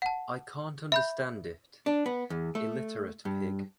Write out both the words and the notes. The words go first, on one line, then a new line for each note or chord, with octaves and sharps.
I can’t understand it. Illiterate pig.
F#5 A5
E5 B5 G6
D4
B3
E2
A3
G2